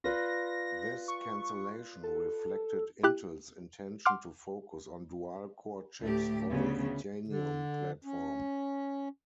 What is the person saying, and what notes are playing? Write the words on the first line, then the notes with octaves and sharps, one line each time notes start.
This cancellation reflected Intel's intention to focus on dual-core chips for the Itanium platform.
F4 B4 D5 A#6
C#6
A4
E4 G4 F#6
F#5 C6 D6 F6
D2 A2 A3 G4
D2 C#3 B3
D3
C#4